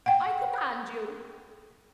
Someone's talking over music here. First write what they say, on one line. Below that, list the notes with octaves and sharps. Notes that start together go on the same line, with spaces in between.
"I command you!"
F#5 G5